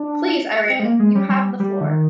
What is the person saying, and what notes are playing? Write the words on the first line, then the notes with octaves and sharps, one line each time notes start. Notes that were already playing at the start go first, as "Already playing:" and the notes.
Please, Iran, you have the floor.
Already playing: D4
C4
G#3
A#3
G#3
G3
G3
G3
D3
D#3